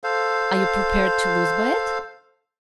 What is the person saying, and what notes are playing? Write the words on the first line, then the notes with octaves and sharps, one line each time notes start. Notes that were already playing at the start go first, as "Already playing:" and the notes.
"Are you prepared to lose by it?"
A4 C5 F5